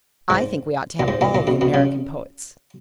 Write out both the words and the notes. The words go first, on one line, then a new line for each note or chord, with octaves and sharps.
I think we ought to have all the American poets.'
G#2
A#2
G#2
A#2
A#2
B2
B2
C#3